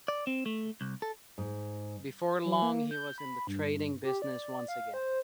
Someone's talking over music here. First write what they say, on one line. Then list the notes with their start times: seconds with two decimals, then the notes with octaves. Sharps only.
Before long he was in the trading business once again.
0.08 D5
0.27 C4
0.46 A3
0.81 C2
1.02 A4
1.38 G#2
2.45 F#3
2.62 A#3
2.91 G6
3.18 B5
3.47 G2
4.05 G4
4.22 D5
4.68 F5
4.94 C5